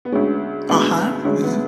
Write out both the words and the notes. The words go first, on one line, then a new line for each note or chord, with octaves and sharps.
Uh-huh, mhm.
B3
D2 D3 G#3 C#4
D2 D3 G#3 B3 D4
D2 D3 G#3 C#4
B3